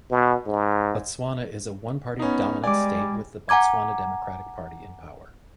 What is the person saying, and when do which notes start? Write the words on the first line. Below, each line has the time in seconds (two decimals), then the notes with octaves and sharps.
Botswana is a one party dominant state with the Botswana Democratic Party in power.
0.11 B2
0.46 G#2
2.19 B3 C#4 D#4
2.64 G3 G#3 D5 G#5 D6
3.49 F#5 G#5 A#5 D6 G#6